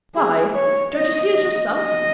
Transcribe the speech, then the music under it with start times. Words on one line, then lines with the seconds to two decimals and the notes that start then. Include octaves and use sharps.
Why, don't you see it yourself?
0.15 G#4
0.54 C#5
0.94 D#5
1.33 D#5
1.73 D#5